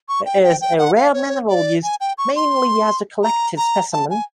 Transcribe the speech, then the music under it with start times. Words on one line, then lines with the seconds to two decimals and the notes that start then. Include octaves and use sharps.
It is a rare mineral used mainly as a collectors specimen.
0.09 C#6
0.26 G5
0.44 G5
0.61 G5
0.79 F#5
0.96 F5
1.14 C#5
1.49 D5
1.83 G#5
2.01 G5
2.18 C#6
2.36 C6
3.23 A#5
3.58 A#5
3.93 A5
4.10 G#5